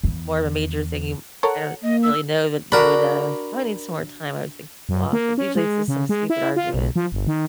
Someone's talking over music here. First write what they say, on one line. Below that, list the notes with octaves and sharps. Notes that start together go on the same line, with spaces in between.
more of a major thing he I don't really know that you would, uh, probably need some more time, I would think, to cool off, but, usually, it's just some stupid argument.
E2
A4 A#4 C#5 F#5
A#3 D#5
E6
D4 F#4 A#4 B5
F#2
A#3
C#4
G#3
C#3
G#3
E4
F4
B1
F3
G1
D#3